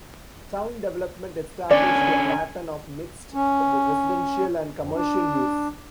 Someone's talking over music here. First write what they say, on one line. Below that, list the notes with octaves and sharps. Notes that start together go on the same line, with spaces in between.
Town development established a pattern of mixed residential and commercial use.
D3 C#4 D4 D5 G#5
C#4
F2
D4